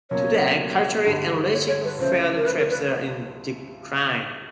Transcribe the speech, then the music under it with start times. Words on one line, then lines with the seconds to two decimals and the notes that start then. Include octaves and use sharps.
Today, culturally enriching field trips are in decline.
0.10 C#2 B2 F#3 A#3 C#4 C#5
1.05 G2 D3 G3
1.53 C#5
1.68 C#5
1.84 B4
1.99 C#2 C#3 F3 A3 C5
2.36 A#4
2.46 B4
2.58 A#4
2.70 B4